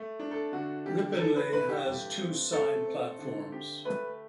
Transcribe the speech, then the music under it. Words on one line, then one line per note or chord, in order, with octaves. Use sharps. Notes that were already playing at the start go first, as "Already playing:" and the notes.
Ripponlea has two side platforms.
Already playing: A3
D4
A4
D3 F#4
D3 G4
E3 A4
B4
A3 B4
G4
G2
C4
A3 A4
C4
D3
G4
A3 B4